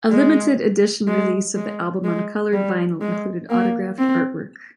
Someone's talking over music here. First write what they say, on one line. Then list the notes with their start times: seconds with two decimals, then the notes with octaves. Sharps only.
A limited edition release of the album on colored vinyl included autographed artwork.
0.11 G#3
1.08 G#3
1.56 G#3
2.04 G#3
2.53 G3
3.01 G#3
3.50 A#3
3.99 C4